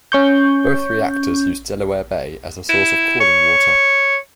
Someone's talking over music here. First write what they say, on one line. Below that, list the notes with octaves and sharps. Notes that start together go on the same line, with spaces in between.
Both reactors use Delaware Bay as a source of cooling water.
C#4 C#6 G6
E4
C#5